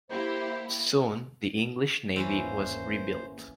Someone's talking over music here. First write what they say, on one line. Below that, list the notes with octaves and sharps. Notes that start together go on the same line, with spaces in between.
Soon the English navy was rebuilt.
A#3 E4 G4 C5
G#1 E2 E3 A#3 C#4 C5 B5